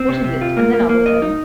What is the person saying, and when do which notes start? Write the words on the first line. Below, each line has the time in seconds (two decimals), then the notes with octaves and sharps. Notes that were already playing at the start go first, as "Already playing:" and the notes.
"What is it, and then I will tell you?"
Already playing: C4
0.08 C3
0.24 C3
0.41 F4
0.57 A#3
0.73 A#3
0.89 A#3
1.06 D#5
1.22 D#4